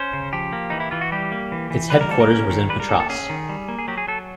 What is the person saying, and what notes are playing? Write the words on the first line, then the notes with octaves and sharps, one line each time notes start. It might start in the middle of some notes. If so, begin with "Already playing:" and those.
Its headquarters was in Patras.
Already playing: C#4 C5
C#3
F3 G4
A#3
E3 D#4
E4
E3 F4
F#4
G3 G4
A#3
E3
E3
G3 B4
A#4
A#3 A4
A#4
C#4
D#3
G3 B4
A#4
A#3 A4
A4
C#4 G#4
D#3
G3
A#3
G#4
F#3 G4
G#4
F#3 A4